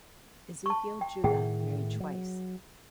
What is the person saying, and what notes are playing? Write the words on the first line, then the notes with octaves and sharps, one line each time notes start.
Ezekiel Judah married twice.
A5 C#6
G5
A2 D#3 A3 G#4 F#5 G5
F#3